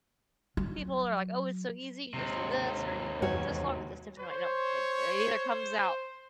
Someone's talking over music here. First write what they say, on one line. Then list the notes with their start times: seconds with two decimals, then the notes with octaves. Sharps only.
people are like, "Oh, it's so easy. You just do this or you cook it this long at this temperature." I'm like, "No." It it either comes out
0.57 F#3
2.14 D#2 C3
3.22 E2 F#4 C#5
4.19 C5 C#5